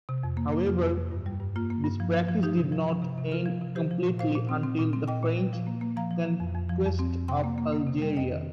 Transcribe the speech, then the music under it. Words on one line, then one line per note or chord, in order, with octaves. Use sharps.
However, this practice did not end completely until the French conquest of Algeria.
C3
F2
A#3
A#3
F2 F4
F2
F2
G2
G3
G2
A#3 F4
A#3
G2
F3
F3
F3
F3 D#4 G4
C3
F3
F3
C3
C3
C3 F4 A#4
F3
C3
F3 G4 C5
F3
A#2
A#2 C5 F5
A#2
C4
C4
A#2
C4
A#2 D#5 G5
A#2
G3
F3
A#3
A#3
F3 F5 A#5
F3
F3
F2
F2
F3
F2
C4
F2
C3 G5 C6
A#3
A#3
A#3
C3
G3
F2 D#5 G5
D#3